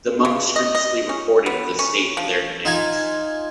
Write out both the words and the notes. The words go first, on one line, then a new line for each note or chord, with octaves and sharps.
The monks scrupulously recorded the state of their domains.
C#3
D#5
D#5
C#4
B3
C#4
F3
D#4 F4 F5 G#5